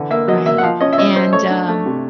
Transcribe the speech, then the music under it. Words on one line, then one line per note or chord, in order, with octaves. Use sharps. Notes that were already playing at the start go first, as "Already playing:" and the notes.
Right. And, um,
Already playing: D3 E3
A#3 E5
F#3 D#5
A#3 E5
F#5
F3 F5
C#4 D#5
E5
C#4 D#5
C#4 C5
A3 C#5
D4
A3
C3